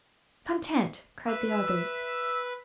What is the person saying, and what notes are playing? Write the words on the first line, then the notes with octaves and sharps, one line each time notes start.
"Content," cried the others.
B4 E5
E5